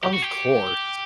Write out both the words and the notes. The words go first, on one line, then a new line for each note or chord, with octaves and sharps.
Of course.
G4
F#4
G4